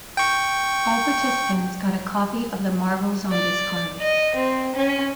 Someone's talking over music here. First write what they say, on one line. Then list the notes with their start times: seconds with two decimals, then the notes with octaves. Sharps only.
All participants got a copy of the Marvel Zombies card.
0.17 G5 C#6
3.31 D5
3.99 D#5
4.35 C4
4.75 C#4